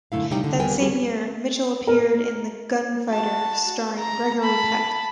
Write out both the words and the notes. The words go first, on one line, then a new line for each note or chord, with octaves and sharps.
That same year, Mitchell appeared in "The Gunfighter", starring Gregory Peck.
F#2 D3 D#3 A3 E4 F5
C3 G3 D#4 G4 G5
D3
D#2 G3 B3 A#4 G5 G#5
F3 G3 F#4 G#4
A#4
F#4 A5
A#5
A5 B5